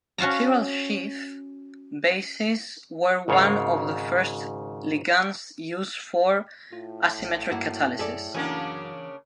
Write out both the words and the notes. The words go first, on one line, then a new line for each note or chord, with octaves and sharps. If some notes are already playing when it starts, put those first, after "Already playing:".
Chiral Schiff bases were one of the first ligands used for asymmetric catalysis.
C#4 F#4 F5 A5 A#5
G#1 G#2 C#3 C#5 D5 F5
A2 F4
G#1
G2 A#3 E4 F#4
F#2 G#4 A4 D5
F#2 C#3 E3 A#3 D4 G#5